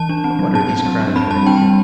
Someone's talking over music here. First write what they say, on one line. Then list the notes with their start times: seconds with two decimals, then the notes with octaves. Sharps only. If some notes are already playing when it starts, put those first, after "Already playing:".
'For what are these cries raised?
Already playing: E3 A5
0.09 D4
0.24 C4
0.39 F#3
0.54 C4 A5
0.70 F#3
0.86 G3
1.00 D4
1.16 C4 B5
1.31 G3 A5
1.46 D4 G5
1.62 G3